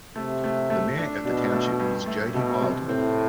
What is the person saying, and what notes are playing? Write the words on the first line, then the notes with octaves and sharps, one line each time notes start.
The mayor of the township is Jody Wildman.
C3 A3
A3
A3
D4
B2 D4
A3
G2
A3
B2 A3
C3
A2 C4